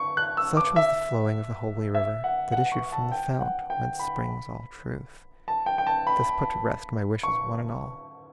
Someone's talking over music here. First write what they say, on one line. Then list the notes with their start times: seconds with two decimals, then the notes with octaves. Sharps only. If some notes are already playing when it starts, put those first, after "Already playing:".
Such was the flowing of the holy river That issued from the fount whence springs all truth; This put to rest my wishes one and all.
Already playing: C#6
0.17 F#6
0.37 E6
0.57 D6
0.76 E5
1.94 E5
2.24 F#5
2.52 F#5
2.72 C#6
2.92 A5
3.12 G5
3.40 F#5
3.70 G5
3.99 B5
5.48 A5
5.66 G5
5.78 G5
5.87 A5
6.07 B5
7.23 C#6